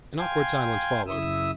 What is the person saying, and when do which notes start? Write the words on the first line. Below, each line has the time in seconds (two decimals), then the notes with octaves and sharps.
An awkward silence followed.
0.18 F5 G5 G#5 C6 G#6
1.07 F#2 C#3 E4 E5 D#6 E6